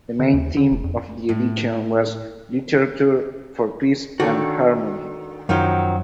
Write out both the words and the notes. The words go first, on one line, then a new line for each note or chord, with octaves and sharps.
The main theme of the edition was "Literature for Peace and Harmony".
D3
D#2
D3
F1
F2
A2
D3 D#3 F#4 A4 C#5
F#2 D#3 F3 F#3